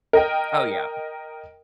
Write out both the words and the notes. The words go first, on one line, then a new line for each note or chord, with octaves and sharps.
oh yeah.
A#4 D#5 G5